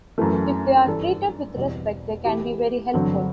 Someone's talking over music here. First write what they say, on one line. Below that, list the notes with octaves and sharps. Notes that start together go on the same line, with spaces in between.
If they are treated with respect, they can be very helpful.
F#2 E3 A3
G2 E3 G3 D4 A4
E2 B2 G3 C4 E4
E3 B3 E4 G4
G2 D3 F#3 C4